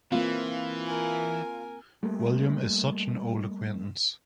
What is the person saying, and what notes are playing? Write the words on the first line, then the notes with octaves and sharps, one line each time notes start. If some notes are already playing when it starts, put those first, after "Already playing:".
William is such an old acquaintance!
E3 A#3 C4 F4
A#4 G#5
G3 A3 A#3